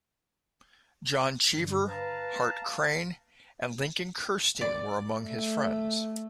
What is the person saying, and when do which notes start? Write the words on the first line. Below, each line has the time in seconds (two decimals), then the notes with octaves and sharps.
John Cheever, Hart Crane, and Lincoln Kirstein were among his friends.
1.51 G2 D3
1.88 B4 F5 A5 A#5
4.61 D5
5.23 A3